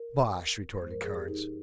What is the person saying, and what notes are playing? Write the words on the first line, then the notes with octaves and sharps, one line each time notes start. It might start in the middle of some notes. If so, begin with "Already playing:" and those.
"Bosh!" retorted Carnes.
Already playing: A#4
G2 F3 G#3 C5
A#4
G#4
G4
D#4